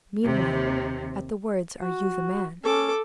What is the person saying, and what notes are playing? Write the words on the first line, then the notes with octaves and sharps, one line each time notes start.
Meanwhile, at the words, Are you the man?
D#2 C3 D#3
F#4
C#4 A4 D6